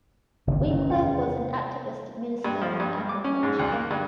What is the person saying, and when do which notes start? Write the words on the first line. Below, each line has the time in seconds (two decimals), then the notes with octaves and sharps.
Winkler was an activist Minister of Agriculture.
0.47 F#1 G2 C3 D#3 C4
0.67 B3 C#4 E4
0.90 E2 G5
2.44 G2
2.61 F3
2.80 G2
3.09 D6
3.24 C#4
3.43 G#2
3.59 D2
3.72 A#3
3.91 G2